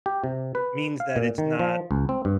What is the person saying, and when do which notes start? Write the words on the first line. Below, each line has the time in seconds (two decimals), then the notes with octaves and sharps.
means that it's not
0.06 G4
0.24 C3
0.55 B4
1.00 F5
1.16 A#2
1.38 D#3
1.59 F3
1.91 C#2
2.09 C4
2.25 G2